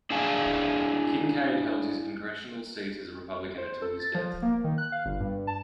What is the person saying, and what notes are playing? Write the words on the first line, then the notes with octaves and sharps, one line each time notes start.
Kinkaid held his Congressional seat as a Republican until his death.
D4 E4 G#4 F5 G#5 A5
C5
A4
A6
F3
A#3
D#3
F#6
F5
G1
G2
A5